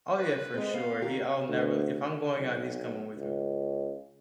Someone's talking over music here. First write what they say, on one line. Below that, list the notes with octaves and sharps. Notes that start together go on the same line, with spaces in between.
Oh, yeah, for sure; he I'll never if I'm going out, he's coming with me.
B4
G#3 C4
B3 F5
D#3 G4
D2
B1
C#2